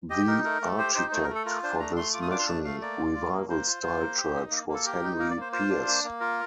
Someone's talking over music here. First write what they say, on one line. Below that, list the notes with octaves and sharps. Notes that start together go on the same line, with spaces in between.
The architect for this Mission Revival-style church was Henry Pierce.
G4 D#5
D#4 A#4
A3 A#4
A3
G4 C5
D#4 C5
A3 C5
A#4
A3
A4
F4 A#4
D4 C5
A3 A#5
A3 C6
F4 D6
D#6
D4 D6
C6
A3 A5
A3 F5
A#3 D5
F4
F4
A#3
A#3 C5
F4
F4
A#3
G4
D#4
A#3
A#3
A4
G4 A#4
D#4
A#3 A#4
D5
A#3 C5
F4 C5
D4
A#3
A#3
F4 A#4